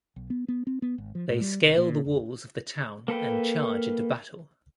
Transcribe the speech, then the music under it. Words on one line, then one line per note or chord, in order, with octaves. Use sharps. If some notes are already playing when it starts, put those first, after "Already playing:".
They scale the walls of the town and charge into battle.
B1
B3
B3
C4
B3
G#1
F3
A2
G3
C2
A#2
F1
A#3 A4 B4 G5